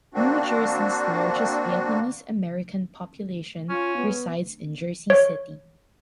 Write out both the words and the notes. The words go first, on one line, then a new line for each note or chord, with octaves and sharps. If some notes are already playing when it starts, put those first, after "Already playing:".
New Jersey's largest Vietnamese American population resides in Jersey City.
A#3 C4 D4 F#4
C#4 F4
B3
C#5